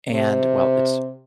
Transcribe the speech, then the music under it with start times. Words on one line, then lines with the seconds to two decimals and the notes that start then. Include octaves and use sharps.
And, well, it's
0.11 C3